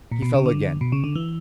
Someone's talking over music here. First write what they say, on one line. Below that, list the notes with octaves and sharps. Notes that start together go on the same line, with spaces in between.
He fell again.
A#2
B2
C#3
D3
B2
C#3
D3
E3